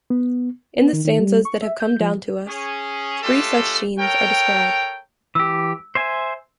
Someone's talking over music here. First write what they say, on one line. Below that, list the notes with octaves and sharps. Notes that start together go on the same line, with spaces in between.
In the stanzas that have come down to us three such scenes are described.
B3
B3
D#3
D#3
G3
C#6
E5
G6
F3
C#4 G#4
G#3 A3 C#4 F4 G4 A4
A4 A#4 C#5 G5
E3 G4 E6
C5 E5 G#5